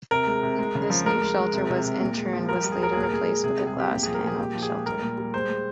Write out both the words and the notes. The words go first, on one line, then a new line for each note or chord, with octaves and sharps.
This new shelter was in turn was later replaced with a glass panelled shelter.
C3 A#4
G#3
C3
G#3
C#3
F3
G#3 A#4
G#3
G#3
C3
C3
C3
A#2
G#3
F3
G3 A#4
G3
G#4
G3 A#4
A#2 G#4
A#4
A#2 G#4
G#3
C3 G#4
G3
G#4
C3 G4
A#2 G4
F3 G#4
A#4
A#2 G#4
A#2 G4
F3
G#4
G#3
G3 A#4
A#2
G3
G#3 C5
G#3